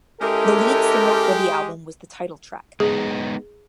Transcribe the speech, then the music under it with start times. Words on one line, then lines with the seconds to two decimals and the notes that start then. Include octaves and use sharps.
The lead single for the album was the title track.
0.21 G#3 C#4 E4 G4 A4 A#4
2.80 G#3 B3 D#4 G#4